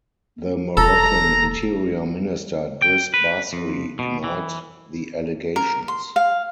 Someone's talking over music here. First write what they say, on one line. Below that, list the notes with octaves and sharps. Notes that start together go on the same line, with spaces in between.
The Moroccan Interior Minister Driss Basri denied the allegations.
E1 A4 A#5
G5
B4
F2
B2
E3
A#4
C6
F5